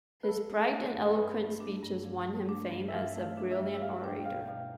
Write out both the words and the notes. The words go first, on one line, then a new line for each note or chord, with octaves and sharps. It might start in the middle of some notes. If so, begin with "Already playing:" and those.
His bright and eloquent speeches won him fame as a brilliant orator.
B4
F3 A4
A3
D4
G2
A4
F3 B4
A3
D4
G2
F3
A3
D4
G2
E5
F3 F5
A3
F5
D4
E5
G2
E5
G3 F5
D4 G5
G5
B2 F5
G5
B2 F5